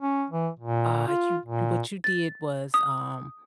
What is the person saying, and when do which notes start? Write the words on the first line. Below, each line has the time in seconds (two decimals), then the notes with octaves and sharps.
Ah, you you what you did was, um,
0.02 C#4
0.31 E3
0.60 A#2
1.07 F4
1.46 A#2
2.04 A6
2.74 D#6